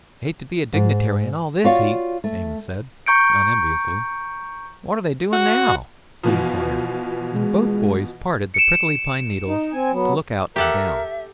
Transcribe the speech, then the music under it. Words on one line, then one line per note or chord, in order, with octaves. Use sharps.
"Hate to be a dignitary in all this heat," Amos said, unenviously. "What are they doing now?" he enquired, and both boys parted the prickly pine needles to look out and down.
G#2
F4 F#4 C#5 D5 F5
A3
A#5 C#6 G6 C#7 D7
F#4
B2 E3 F3
G#3
C#7 D7 E7
D#4
C4 G#5
F#3 B3
G4 A4 A#4 E5 F#5